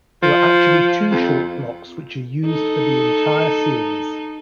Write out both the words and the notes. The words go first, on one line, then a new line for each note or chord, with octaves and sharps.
There are actually two short blocks which are used for the entire series.
F3
F2
D#4 A4